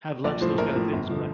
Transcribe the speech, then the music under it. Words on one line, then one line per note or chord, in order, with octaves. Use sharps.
Have lunch, those kinda things, but
A#1 D5
A2 F3 C5
A#1 A#4
A2 F3
G1
D3 F3